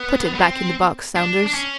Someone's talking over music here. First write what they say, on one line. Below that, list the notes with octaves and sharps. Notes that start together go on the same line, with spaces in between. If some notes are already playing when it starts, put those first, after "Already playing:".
Put it back in the box, Saunders.
Already playing: B3
B3
C4
D4
D4
C#4